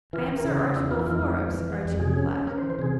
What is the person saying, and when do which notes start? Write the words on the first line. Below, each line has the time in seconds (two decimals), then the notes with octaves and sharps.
"I am Sir Archibald Forbes," Archie replied.
0.13 E3 F4
0.29 E3
0.36 A#4
0.45 C#3 C5
0.59 C#3 G#4
0.76 E2 E4
0.91 E3 F4
1.00 E4
1.07 F2 F4
1.22 G#3
1.38 F2
1.53 E3
1.70 G#3
1.85 F2
2.00 C3 G#4
2.16 C#4
2.31 C#4
2.47 C#4 A#4
2.58 C5
2.62 E3
2.70 C5
2.79 C3 G#4